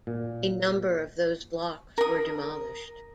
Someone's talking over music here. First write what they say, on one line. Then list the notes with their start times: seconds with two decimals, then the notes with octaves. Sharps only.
A number of those blocks were demolished.
0.07 A#2
1.98 A#4 D#6